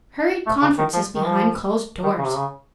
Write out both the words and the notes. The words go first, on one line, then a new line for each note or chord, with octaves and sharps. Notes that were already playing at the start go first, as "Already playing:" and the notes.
Hurried conferences behind closed doors!
A3
C#3
D#3
F3
D#3
F3
D#3
C#3
C3
C#3